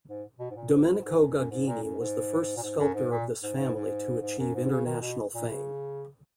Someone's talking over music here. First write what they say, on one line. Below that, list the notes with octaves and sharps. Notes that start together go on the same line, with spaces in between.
Domenico Gagini was the first sculptor of this family to achieve international fame.
G#2
B2
G#2
A#2
G#2
F#2
G#2
G#2
F#2
F#2
G#2
A#2
F#2
G#2
A#2
G#2
F#2
G#2
A#2
G#2
G#2
G#2
G#2
F#2
G#2
C#3
D#3
B2
A#2
C#3